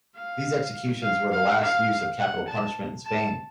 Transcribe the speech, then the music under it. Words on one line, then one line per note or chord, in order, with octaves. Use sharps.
These executions were the last use of capital punishment in Spain.
F5
F5
F5
F5
F#5
A5
A5